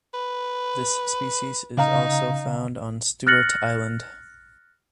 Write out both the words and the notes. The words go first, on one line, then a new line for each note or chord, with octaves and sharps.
This species is also found on Stewart Island.
B4
C#3 D#4 F5 A#5
F6 F#6 A6 A#6 C#7 F#7